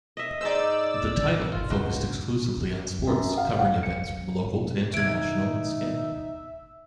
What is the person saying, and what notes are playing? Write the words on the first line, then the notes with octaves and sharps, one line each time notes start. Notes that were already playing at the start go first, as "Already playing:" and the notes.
"The Title" focused exclusively on sports, covering events from local to international in scale.
D#5 E5
D#4 G#4 C5 D5 E6
F4
C#2 F#4 C5
F#2
F5
F5
C#7
B2 D#3 D4 D#4 E5 G#6 D7